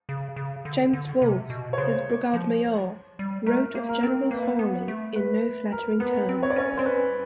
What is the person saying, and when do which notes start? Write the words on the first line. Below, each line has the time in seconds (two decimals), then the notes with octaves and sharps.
James Wolfe, his brigade-major, wrote of General Hawley in no flattering terms.
0.09 C#3
0.36 C#3
0.65 D3
0.93 D3
1.22 C3
1.50 B2
1.73 C#5
1.78 C#3 C5
2.34 F3
3.19 G3
3.46 A3 A#4
3.75 A#3
3.89 A#4
4.03 C4
4.31 A#3 B4
4.59 B3
4.88 A3
5.16 B4
5.72 A#4
6.00 B3 B4
6.29 C4
6.43 C#5
6.50 D5
6.56 C#4 C#5
6.77 C4 C5
6.86 C#4 B4